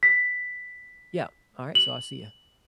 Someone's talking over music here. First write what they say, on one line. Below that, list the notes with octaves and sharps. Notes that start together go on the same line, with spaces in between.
Yep, alright, so I'll see ya,
B6
F#7